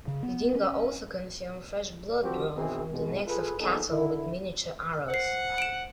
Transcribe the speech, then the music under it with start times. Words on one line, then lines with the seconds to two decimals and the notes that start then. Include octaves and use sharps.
Didinga also consume fresh blood drawn from the necks of cattle with miniature arrows.
0.08 C#3
0.23 B3
0.55 C#4
2.23 F3 G3 C4 F#4 G4
2.56 B2 D#3 E3 C4 G#4
2.91 C2 B2 G#3
3.27 F4 G#4 A4 B4
3.60 D#2 F3 B3 D#4 G#4 A4
3.90 D3 E4
5.10 C5 F#5 C7
5.58 D7 E7